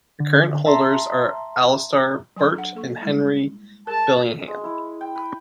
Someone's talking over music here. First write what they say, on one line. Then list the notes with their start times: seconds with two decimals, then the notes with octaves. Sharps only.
The current holders are Alistair Burt and Henry Bellingham.
0.20 D3
0.66 E5 A5 A#5 C6
2.36 F#3 G#5 C6
2.54 D4 A4 F#5
2.75 A#3 A4 C#6
3.02 G3 G#3 E4
3.87 G#4 A#4 A5
4.48 G#3
4.64 E4
5.01 G5
5.16 B4